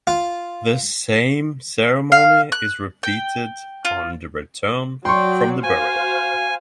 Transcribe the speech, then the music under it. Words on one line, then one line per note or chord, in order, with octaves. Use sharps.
The same ceremony is repeated on the return from the burial.
F4
F5
F#6
G5
F4
F#3 D5 G5 C6 C#6
F#4 C5 F5 G#5